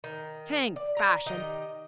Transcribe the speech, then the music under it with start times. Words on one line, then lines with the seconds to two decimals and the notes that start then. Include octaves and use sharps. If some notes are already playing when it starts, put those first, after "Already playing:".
'Hang fashion!
0.04 D#3
0.76 D5
0.97 A#5
1.26 D#3 D#4 G4 D#5